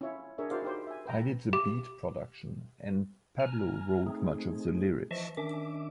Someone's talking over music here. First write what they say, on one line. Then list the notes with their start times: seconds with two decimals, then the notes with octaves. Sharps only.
I did the beat production and Pablo wrote much of the lyrics.
0.01 C#4 E4 F4 C#5 E5
0.38 D4 G#4 A#4 C#5 E5
0.50 E4 F#4 A#4 C5 D5 F5
0.62 D#4 G4 C5
0.87 E5 G#5
1.06 B4 G5 A#5
1.53 G4
3.40 G#5 A#5 F6
4.06 A3 C4 D#4 G#4
5.11 E3 F3 D#5 E5 A5 C#6
5.37 D#3 C#4 D4 E5 D6